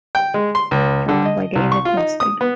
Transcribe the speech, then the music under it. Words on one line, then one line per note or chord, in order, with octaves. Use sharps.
Drawn by David Mostyn.
G5
G#3
C6
C#2
D3
D#5
C2
C#6
F4
D#4
D#6
B3